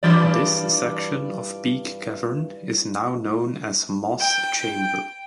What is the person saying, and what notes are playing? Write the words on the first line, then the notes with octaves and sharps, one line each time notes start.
This section of Peak Cavern is now known as Moss Chamber.
G2 E3 D5
G5